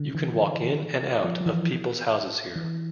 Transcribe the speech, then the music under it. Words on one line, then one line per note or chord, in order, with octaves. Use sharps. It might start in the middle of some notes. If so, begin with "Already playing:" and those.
You can walk in and out of people's houses here.
Already playing: D3
E3
E3
F3
F3
E3
E3